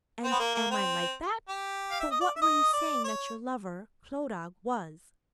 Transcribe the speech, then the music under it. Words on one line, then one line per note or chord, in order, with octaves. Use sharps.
And am I like that?--but what were you saying that your lover, Clodagh, was?'
C4
B3
A#3
A#3
C4
G4
F5
E5
D#5
D5
E5
D#5
D5
C#5